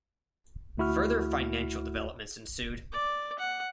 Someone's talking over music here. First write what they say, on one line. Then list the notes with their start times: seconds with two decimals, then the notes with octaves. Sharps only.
Further financial developments ensued.
0.77 D2 A3 E4 F#4 F6
2.92 D5
3.39 F#5